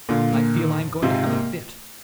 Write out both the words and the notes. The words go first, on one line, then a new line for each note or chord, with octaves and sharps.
I feel I am going to have a fit.
A#2 D3 F4
A#3
D#3
F2
G#2 C3 F4
A#3